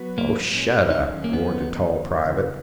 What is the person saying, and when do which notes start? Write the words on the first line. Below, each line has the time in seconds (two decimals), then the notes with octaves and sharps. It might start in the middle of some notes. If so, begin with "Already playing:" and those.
"Oh, shut up!" roared the tall private.
Already playing: F#3 B3 F#4 B4
0.18 A#3
0.47 A#2 G#3 C#4
0.90 D#4
1.04 D#3 F#3 C#4 G#4
1.24 A#3
1.33 B3
1.62 F#2 D#3 A#3 D#4
2.20 E2 C#3 E3